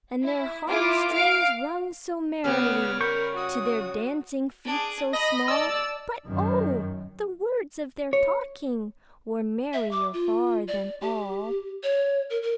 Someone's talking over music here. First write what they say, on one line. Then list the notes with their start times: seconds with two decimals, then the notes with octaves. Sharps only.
"And their harp-strings rung so merrily To their dancing feet so small; But oh! the words of their talking Were merrier far than all."
0.23 E4
0.67 E4 F4 D6
1.13 F5 D7
2.44 C#3 G3 B3 F6
3.01 A#4 B5 C#6 G6
3.36 F#4 D#6
4.65 D4 G#4
5.13 D#5 B5 A#6
5.48 D5 A5 E6
6.27 F#2 D#3
8.13 C#5
9.73 E5
9.91 D6
10.14 F4
10.68 D5
11.01 G4
11.83 C#5
12.30 A#4
12.42 A#4